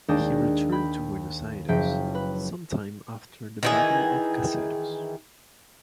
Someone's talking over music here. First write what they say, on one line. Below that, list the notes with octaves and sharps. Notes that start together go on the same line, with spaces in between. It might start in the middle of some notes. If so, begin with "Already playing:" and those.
He returned to Buenos Aires some time after the Battle of Caseros.
D#2 G#3 D4 G5 D#6
G5 B5
F#1 F3 G5 B6 D7
B4
D#3 E3 G#4